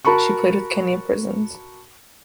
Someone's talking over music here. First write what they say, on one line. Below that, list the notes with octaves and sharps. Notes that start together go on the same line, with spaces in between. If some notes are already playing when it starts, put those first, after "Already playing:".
She played with Kenya Prisons.
F#4 A#4 A5 B5 C#6